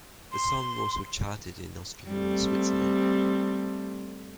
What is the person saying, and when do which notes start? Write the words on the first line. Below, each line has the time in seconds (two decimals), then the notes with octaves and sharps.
The song also charted in Austria and Switzerland.
0.32 C6
2.09 G3 A3 C4